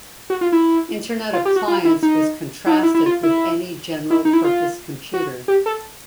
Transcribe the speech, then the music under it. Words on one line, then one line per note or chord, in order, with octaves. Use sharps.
Internet appliance was contrasted with any general purpose computer.
F#4
F4
E4
F4
G4
F#4
F4
E4
D#4
E4
D#4
E4
E4
F4
E4
E4
D#4
E4
F4
F#4
G4
A4